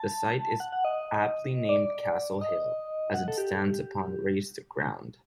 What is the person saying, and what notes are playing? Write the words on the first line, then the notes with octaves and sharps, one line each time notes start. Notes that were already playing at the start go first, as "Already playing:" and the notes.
The site is aptly named Castle Hill, as it stands upon raised ground.
Already playing: A5
F#5
F#5
D#5
D5
D#5
F#5
A4
G4